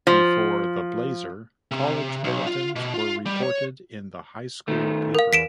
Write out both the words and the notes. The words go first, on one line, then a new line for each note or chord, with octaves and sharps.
Before "The Blazer", college bulletins were reported in the high school paper.
F3
C3
B1
F4
B2
F4
G3
C#5
D#3 A3
A#4 F5
E2 B6 D7 E7